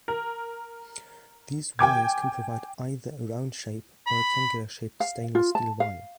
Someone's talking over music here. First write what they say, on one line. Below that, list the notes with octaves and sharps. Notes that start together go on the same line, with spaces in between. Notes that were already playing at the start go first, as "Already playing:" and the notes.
These wires can provide either a round shape or rectangular shaped stainless steel wire.
A#4
G5 G#5 D6 G#6
B5
F5
F4
A5
F5